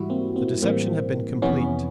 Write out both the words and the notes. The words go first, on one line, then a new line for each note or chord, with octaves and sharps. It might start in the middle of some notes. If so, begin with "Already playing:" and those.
The deception had been complete.
Already playing: G#2 E3 G3 E4 F#4
A#3 C4
A#3 C4
A2 E3 G3 A#3 C4
F2 C3 E3 B3 C#4